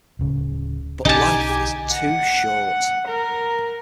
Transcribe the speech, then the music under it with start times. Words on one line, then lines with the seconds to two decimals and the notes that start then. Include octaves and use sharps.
But life is too short.
0.19 D1 C#3
1.05 B1 D3 D#4 G4 G#5 A5
1.94 F#5
3.08 A#4